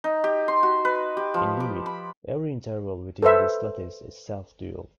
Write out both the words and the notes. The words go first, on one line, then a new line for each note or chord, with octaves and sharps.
Indeed, every interval within this lattice is self-dual.
D#4
G4
C6
F#4
B4
G4
F3
D6
B5
A4 B4 C5 E5